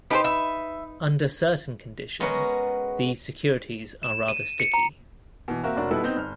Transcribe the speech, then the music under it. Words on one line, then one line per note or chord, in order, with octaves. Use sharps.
Under certain conditions these securities are rather sticky.
D#4 G4 A4 B4 C5
E5
G#3 B3 C#4 F#4 A#4 C#5
E7
D#7
C#7
A#5
B2 E3
A#3 C4 F#4 A#4 E5
F1 C#4 D4 F#4 A#4
B2 G3 D#4 E4 A4 B4
B3 C4 D#4 G6
G1 F6